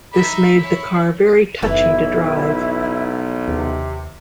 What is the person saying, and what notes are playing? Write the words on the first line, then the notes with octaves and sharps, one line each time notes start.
This made the car very touchy to drive.
D#4 E5 B5
E4 C#5
F#1 B1 E3 E4
D#2 C3